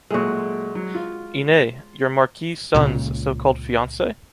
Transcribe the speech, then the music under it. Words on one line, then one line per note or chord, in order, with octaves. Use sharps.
Inès, your Marquis son’s so-called fiancé?
A#2 F#3 G#3 A3 F#4
F#3
F4
C#2 A#2 C#3